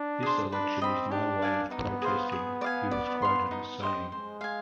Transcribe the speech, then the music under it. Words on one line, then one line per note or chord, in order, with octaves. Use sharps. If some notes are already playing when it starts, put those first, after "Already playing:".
"This election is my way of protesting," he was quoted as saying.
Already playing: D4
G#4 C5
D4 B4
C4 D#5 B5
D4 G4
D5 F5 G#5
B3 D#4
G#4 C5 F5
G#4
D5
F5 G#5
D5
F5 C6
D#4
G4 C5 D#5
G#3 C5
F5 G#5